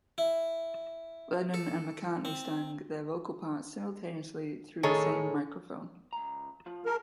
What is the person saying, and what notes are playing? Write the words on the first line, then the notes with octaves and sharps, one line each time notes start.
Lennon and McCartney sang their vocal parts simultaneously through the same microphone.
E4
A4
C4
A2 D#3 G#4 A4 C#5
C#2 A#5
F3 F4
C2 G#4 A#4 A5